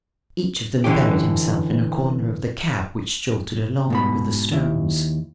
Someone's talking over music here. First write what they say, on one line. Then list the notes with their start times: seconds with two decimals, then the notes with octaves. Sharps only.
Each of them buried himself in a corner of the cab which jolted along over the stones.
0.84 D3 E3 C#4 G4
3.90 G#2 B2 B5
4.52 D#2 E4